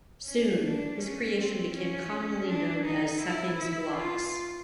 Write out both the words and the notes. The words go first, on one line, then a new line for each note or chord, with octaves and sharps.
Soon, his creation became commonly known as Seppings Blocks.
C#4
D4
C#4
C4
C#4
D4
D#4
E4
E4
F4